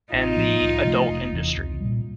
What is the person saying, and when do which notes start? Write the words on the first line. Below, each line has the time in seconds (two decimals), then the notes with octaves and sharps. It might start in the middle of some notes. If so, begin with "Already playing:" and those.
and the adult industry,
0.12 A1 D#4 F4
0.37 A2 F3
0.60 C2
0.85 C3 F3 A3
1.09 F1
1.32 E2 C3
1.57 C2
1.80 A#2 G3